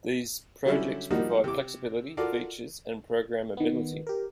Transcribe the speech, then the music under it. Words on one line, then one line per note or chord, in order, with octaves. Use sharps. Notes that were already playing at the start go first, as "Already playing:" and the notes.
These projects provide flexibility, features, and programmability.
D3 F#3 G3 C#4 E4
F3 G3 A#3 D#4 F#4
C3 D6
F4 F#4 A4 A#4 D5
D#3 B3
G4 A#4